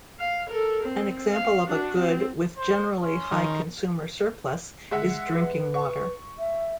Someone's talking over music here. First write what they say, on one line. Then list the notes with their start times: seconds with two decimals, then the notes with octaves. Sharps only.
An example of a good with generally high consumer surplus is drinking water.
0.19 F5
0.50 A4 A#4
0.83 C4
1.31 F5
1.66 D4 F#4
1.99 C4
2.57 C5
3.00 C#4 C6
3.32 D#3
4.91 D3 G#3 E5 F#5
5.27 B4
5.74 C#6
6.39 E5